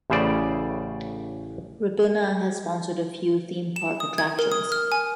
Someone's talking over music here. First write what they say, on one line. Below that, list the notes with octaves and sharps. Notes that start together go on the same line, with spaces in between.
Ribena has sponsored a few theme park attractions.
A1 A2 C#3 C5 D5
E7
D#6
G#6
A#4
D#6
F6
G#5